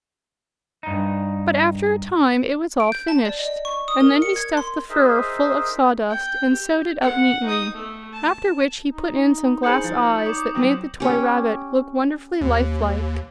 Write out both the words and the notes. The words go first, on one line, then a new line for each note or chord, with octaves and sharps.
But after a time it was all finished, and then he stuffed the fur full of sawdust and sewed it up neatly; after which he put in some glass eyes that made the toy rabbit look wonderfully life-like.
G2 D#4
D7
G6
A5
D5
D#5
C#6
D#6
A#4
C#7
G#6
C6
D#4 G#4 A#4 C5 D#5 E5
G5
G4
F#5
D#4 D#6
A3
A5
D#4
G#4 B4 C5 G6 C#7 F#7
F3
C#5 D6 D#6
F#3 C4
C#4 G4
D#2